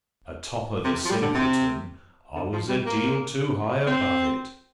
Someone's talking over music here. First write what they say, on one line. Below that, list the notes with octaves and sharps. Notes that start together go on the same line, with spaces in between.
Atop of the Simpleton, I was a deal too high above it.
C3
F3
G3
D3
C3
D3
F3
G3
A#3
C4